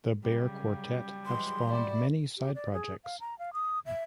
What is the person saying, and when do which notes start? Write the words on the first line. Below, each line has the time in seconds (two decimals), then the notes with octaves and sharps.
The Bear Quartet have spawned many side projects.
0.22 C#3 F#3 G3
1.26 E3 F#3 G#3 C6
1.69 A3 E4 F#4 D5
2.37 G4
2.55 D5
2.73 G#4
3.04 F5
3.20 A#5
3.39 F5
3.54 D#6
3.86 E5